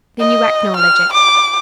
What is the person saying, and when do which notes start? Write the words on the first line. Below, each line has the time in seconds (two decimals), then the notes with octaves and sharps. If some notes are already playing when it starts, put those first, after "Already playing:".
"Then you acknowledge it?"
0.20 D#5
0.77 F6
1.13 D6